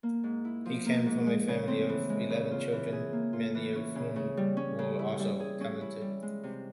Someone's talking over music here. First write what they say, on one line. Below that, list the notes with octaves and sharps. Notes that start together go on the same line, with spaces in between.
He came from a family of eleven children, many of whom were also talented.
A#3
G#2
E4
F3
A#3
G#2
G#3
C#3
C4
E3
G#3
C#3
F4
E3
G#4
A#3
F4
E3
C#4
C#3
C#3
G3
C#4
C#3
E4
G3
G#4
C#4
E4
G3
G#3
C3